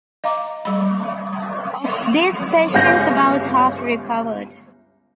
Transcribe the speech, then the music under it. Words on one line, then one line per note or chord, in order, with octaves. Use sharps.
Of these patients about half recovered.
D#5 F5 A#5 D6
G3 B5
G1 C#2 F5 G#5 G6 A#6